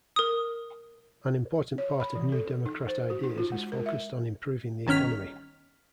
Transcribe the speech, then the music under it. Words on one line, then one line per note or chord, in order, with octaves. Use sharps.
An important part of New Democrat ideas is focused on improving the economy.
A#4 D#6
C#5
B5
E3
A4
D#4
C5
F#4
D#4
F4
G#3
A#4
E5
G1 D#3 C#4 F6 B6